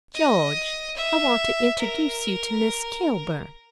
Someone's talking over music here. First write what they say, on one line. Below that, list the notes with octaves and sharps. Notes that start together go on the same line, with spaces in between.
"George, I want to introduce you to Miss Kilburn."
D#5
E5
A#4